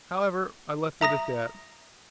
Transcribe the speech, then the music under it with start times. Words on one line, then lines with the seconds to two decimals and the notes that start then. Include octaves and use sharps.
However, I left it at that.
1.01 E5 A#5 D#6 A#6